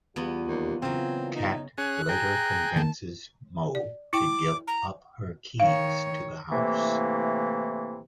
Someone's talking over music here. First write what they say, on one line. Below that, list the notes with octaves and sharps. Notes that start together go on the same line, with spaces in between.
Kat later convinces Mo to give up her keys to the house.
E2 G3 B3 F4
D#2
A#2 C#3 E3 F#3 C4 F4
D#4
C#4 G#4 F#6
G#4 G5 A#5
D#3 A#3 A5
D5
E4 G5 D6
A#5
D#3 C#5 F5
A2 C3 E3 A3 A#3